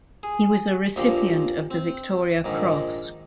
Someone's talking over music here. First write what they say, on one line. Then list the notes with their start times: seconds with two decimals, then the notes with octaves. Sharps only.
He was a recipient of the Victoria Cross.
0.23 G#4
0.96 A#1 A#2 F3 G4
1.71 C4
2.44 A#1 G#2 D#3